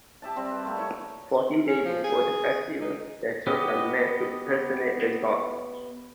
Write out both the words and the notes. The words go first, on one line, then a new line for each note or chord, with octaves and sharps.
Forty days before the festival, they chose a man to personate the god.
G4 E5 A5
G3 C4
B4
A3 A#3 G4
E4 C#5 C#6
C#4
F3
G#4
D#4
B3 G4 D#5